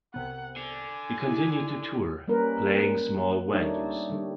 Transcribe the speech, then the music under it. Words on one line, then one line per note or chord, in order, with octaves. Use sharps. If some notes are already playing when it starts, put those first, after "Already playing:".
He continued to tour, playing small venues.
C2 C3 B3 F#5
D3 G#5
D#4 E4
G3 A#3 C#4 A#4 B4
G3 A3 D4 D#4 C#5
D3 G3